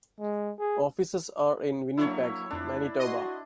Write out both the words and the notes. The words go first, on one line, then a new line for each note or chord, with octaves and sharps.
Offices are in Winnipeg, Manitoba.
G#3
G#4
F#3 A#3 D4 E4 C#5
F2 A3 D4 E4
F#4 D#5 C6